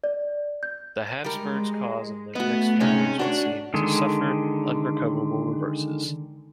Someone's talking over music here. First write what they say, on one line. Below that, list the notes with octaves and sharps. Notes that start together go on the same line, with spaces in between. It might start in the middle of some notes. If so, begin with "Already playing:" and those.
The Habsburg cause in the next few years would seem to suffer unrecoverable reverses.
D5
G6
G3 G#3 A#4
A3 B3 F#4 D#5
C3 G#3 C#4 D#4
D4 F#4 C5 C#5
D3 D#3 G#3